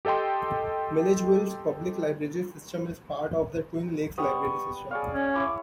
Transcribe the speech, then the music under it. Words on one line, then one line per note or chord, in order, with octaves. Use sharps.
Milledgeville's public library system is part of the Twin Lakes Library System.
G4 A4 D#5 G5 C6
G3 B3 C#6 D#6
G#4 C#5 D5 F5
C#4
E4 C#5 D6